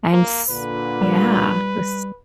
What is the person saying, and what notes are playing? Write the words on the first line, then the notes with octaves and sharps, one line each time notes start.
And, s yeah. It was
A#3
A#2 D3 B4
G3